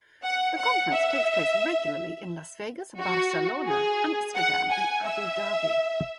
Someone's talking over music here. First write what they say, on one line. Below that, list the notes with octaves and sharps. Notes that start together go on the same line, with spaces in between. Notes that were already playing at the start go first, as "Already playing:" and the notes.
The conference takes place regularly in Las Vegas, Barcelona, Amsterdam, Abu Dhabi.
F#5
F#5
E5
F#4
G#4
F#5
G#5
E5